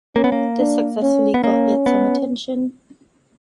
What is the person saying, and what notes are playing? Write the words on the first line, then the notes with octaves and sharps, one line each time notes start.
This successfully got it some attention.
A#3 C#4
B3
A#3
D4
C#4
B3
A#3 C#4
B3